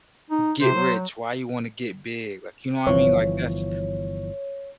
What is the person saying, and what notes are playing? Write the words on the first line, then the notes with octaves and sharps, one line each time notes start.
get rich, why you wanna get big. Like, you know what I mean? Like, that's
D#4
C3 C5
F#3
G1 E3 F3 C#5